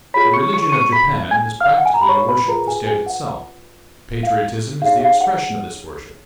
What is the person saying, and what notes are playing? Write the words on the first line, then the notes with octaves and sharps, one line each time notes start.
The religion of Japan is practically a worship of the State itself. Patriotism is the expression of this worship.
F4 G#4 C#5 B5 B6
C#6 C#7
C#6 C#7
D#7
C#6 C#7
B5 B6
G#5 G#6
F5 F6
F#5
G#5
A#5
B5
C#5 C#6
B4 B5
F4 G#4 A#4 B4 A#5
G#4 G#5
G#4 G#5
F#5
F5
D#4 G#4 C#5 F5
F5
F#5